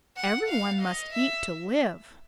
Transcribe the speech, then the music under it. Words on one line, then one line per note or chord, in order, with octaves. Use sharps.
Every one must eat to live.
F#5
F5
D#5
E5